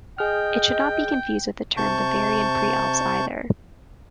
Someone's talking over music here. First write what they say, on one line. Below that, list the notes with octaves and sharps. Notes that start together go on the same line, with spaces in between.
It should not be confused with the term Bavarian Prealps either.
G#4 D#5 G5 F6
C3 A5 C#6 G6